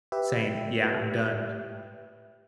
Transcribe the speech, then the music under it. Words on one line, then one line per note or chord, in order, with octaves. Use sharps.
saying, "Yeah, I'm done."
G4 B4 E5